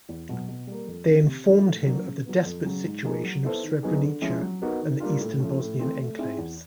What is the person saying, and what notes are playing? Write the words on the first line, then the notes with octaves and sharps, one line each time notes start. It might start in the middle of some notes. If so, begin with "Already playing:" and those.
They informed him of the desperate situation of Srebrenica and the eastern Bosnian enclaves.
E2
B2 F#3
B2
G3 A#3
F2
C#3 E3
C3
F3 A3 D4
A2
F#3 A#3 D4
C#3
F#3 B3
F2
C#3 F#3
G#2
F3 A#3 D#4 G#4
F#3
B3 E4 A4 C5
D#3
F#3 B3 D#4 G#4
D3
F3 G#3 C#4 E4
F#3
B3 D#4 F#4 A#4
D#3
G3 A#3 D4 F4
A2
F3 A3 C#4
A2
E3 A3 C4
A3
C4 E4 G#4
E2